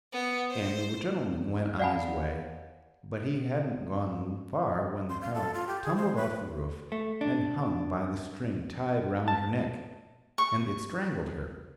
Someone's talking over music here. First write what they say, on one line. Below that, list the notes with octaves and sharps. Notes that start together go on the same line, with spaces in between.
And the gentleman went on his way, but he hadn't gone far when the cow tumbled off the roof, and hung by the string tied round her neck, and it strangled her.
B3
C5
D5 F5 F#5 G#5 A5 B5
C6
F5
A4
F4
G4
G#4
C5
B4
A3
D4
A5
C#6